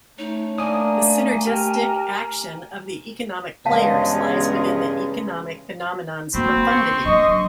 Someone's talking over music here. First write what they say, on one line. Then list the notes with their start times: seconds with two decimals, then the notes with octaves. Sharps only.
The synergistic action of the economic players lies within the economic phenomenon's profundity.
0.18 A3 C#4 D#4
0.58 A#3 D4 G#5 D6 D#6
1.47 G4 A#4
3.66 E2 G2 C#3 G#3 F5 A5
6.34 D3 A#3 C4 F#4 B5
6.70 C6 C#6
7.04 D3 F#3 D#5